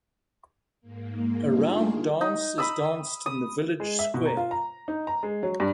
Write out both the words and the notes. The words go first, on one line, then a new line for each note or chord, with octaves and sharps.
A round dance is danced in the village square.
G#2 A#3
G3 A#3 D4 D#4 F4 G#4
D#4
B5 D#6 E6
D#6
G#3
E5
B2
A#5
F4
A#5
D#4
A#5
G#3
F#3
G2